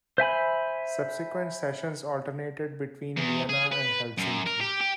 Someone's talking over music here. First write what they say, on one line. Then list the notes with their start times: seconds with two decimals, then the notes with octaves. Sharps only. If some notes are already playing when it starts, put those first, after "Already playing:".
Subsequent sessions alternated between Vienna and Helsinki.
0.18 C5 E5 G#5 B5
3.17 E2
3.49 G#4
3.72 B4
4.18 F#2
4.46 A#4
4.60 G4
4.80 G4